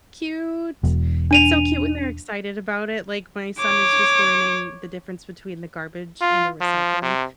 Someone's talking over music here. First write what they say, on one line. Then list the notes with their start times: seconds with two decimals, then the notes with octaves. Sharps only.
Cute, it's so cute when they're excited about it, like, my son is just learning the difference between the garbage and the recycling,
0.83 E1 E2
1.31 D4 D#7 F7
3.59 C#5 D6
6.22 F4
6.61 F3
7.02 C3